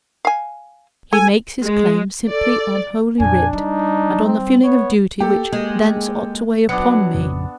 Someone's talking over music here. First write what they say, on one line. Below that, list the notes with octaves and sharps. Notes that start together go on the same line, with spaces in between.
He makes his claim simply on Holy Writ, and on the feeling of duty which thence ought to weigh upon me.
F5 G#5
A4 G#5
G#3
A4 D5
F2 A#2 D4 G#5
G3 D#4
C4
B3 C#5
A#3 G4 A4
G#3 A#3
F#3 B3 D4 C#7
A1 F2 C#3